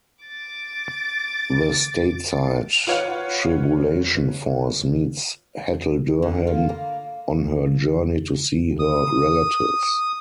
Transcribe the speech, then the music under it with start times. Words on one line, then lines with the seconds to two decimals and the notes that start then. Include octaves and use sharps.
The stateside Tribulation Force meets Hattie Durham on her journey to see her relatives.
0.25 D6 A6
2.87 F4 B4 C#5 F5 F#5
6.22 D3
6.47 F4
6.69 A#3
8.79 D#6